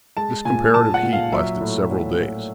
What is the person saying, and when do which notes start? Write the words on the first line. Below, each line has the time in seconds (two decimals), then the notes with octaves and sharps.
This comparative heat lasted several days.
0.17 G#3 A5
0.45 A#2 G#5
0.74 A#2 A5
0.94 F#5
1.03 A#2
1.13 F5
1.32 F#3 E5
1.61 A2
1.90 A2
2.19 A2